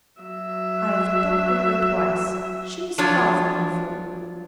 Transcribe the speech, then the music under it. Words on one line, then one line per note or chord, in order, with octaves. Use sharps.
I've talked to her twice, she is far from a fool.
F#3 E5
F3 F#3 D4 F4 C#5